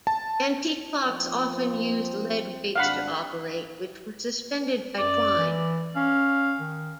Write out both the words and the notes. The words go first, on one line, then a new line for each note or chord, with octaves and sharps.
Antique clocks often used lead weights to operate, which were suspended by twine.
A5
F3 A#3 C4
G#1 D4 F5 F#5 B5
F#2 D5
E3
C#4 F5
D#3